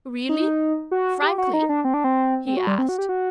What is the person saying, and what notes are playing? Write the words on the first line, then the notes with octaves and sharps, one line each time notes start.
"Really frankly?" he asked.
D#4
F#4
G4
F#4
D#4
D4
C4
D4
C4
C4
F#4
G3
C4
F#4
G4
F#4